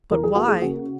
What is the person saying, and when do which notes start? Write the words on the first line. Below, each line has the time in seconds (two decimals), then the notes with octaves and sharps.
But why?
0.11 E2 A#4
0.23 G#4
0.35 A#3 F#4
0.48 G#4
0.62 C#3 F#4